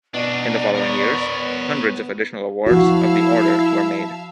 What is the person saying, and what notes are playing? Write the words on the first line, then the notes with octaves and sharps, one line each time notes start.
In the following years hundreds of additional awards of the Order were made.
B2 D4 D#4 D5
B3 A#4 C#5
F3 E4 F#4 E5 F5 A5